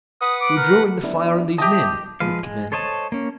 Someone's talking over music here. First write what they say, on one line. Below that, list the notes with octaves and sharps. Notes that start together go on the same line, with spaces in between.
"You're drawing the fire on these men," Wood commanded.
B4 F#5 D#6
D6
A#4
B3 D4 E4
G4 D#5 E5 G5 A5
F3 G#3 B4 F5
G#3
A4 C5 C#5 D#5 A5
A#3 C#4